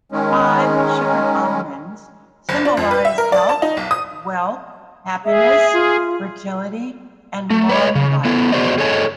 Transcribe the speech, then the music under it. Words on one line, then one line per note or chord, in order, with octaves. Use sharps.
Five sugared almonds symbolize health, wealth, happiness, fertility and long life.
D#3 G#3 C#4
F#1
D4
F2
B4
E5
A#4
D5
A5
D#4
B1
D#6
G#4 E5
F4
A3
B4 C#5 D#5
C#3
B3 E4 A4
B3 F#4 G#4 C5 D5 D#5
G#4 A4 C#5 D#5 G#5